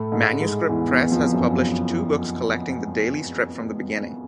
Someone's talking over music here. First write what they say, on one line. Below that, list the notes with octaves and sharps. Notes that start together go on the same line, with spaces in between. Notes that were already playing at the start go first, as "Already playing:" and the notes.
Manuscript Press has published two books collecting the daily strip from the beginning.
Already playing: A2 A3
G#2 G#3
G#2 G#3
E2 E3
E2 E3
F2 F3
F#2 F#3